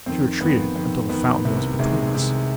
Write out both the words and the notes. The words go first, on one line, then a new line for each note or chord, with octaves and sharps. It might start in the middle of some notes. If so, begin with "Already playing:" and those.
She retreated until the fountain was between us.
F2 D#3 C4
F2 D#3 B3
F2 D#3
F2 D#3 B3
C2 C3 D#3
C2 C3 D#3 G#3
C2 C3 D#3